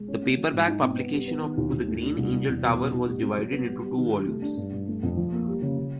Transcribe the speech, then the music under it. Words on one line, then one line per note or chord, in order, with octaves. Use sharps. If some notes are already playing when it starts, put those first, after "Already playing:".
The paperback publication of "To Green Angel Tower" was divided into two volumes.
Already playing: G#3
C#4
A#3
F#3
G#2
D#4
C4
B3
G3
B3
D#3
D#2
D#2
A3
D4
C2
C2
E2
B2
G3
D#4
G3
C4
F#3
B3
G3
G3
D#3
G3
A3
D4
G2
G2
A3
F2
F3
A#3
G3
C#3
C#3